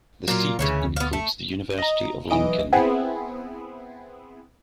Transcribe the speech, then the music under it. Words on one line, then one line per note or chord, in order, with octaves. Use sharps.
The seat includes the University of Lincoln.
A#2 F#3 A#3 F4
D2 C#3 E3 C#4
B3 F5
A3
D#5 A#5
B1 E3 D#5 D7
B3 C4 E4 G#4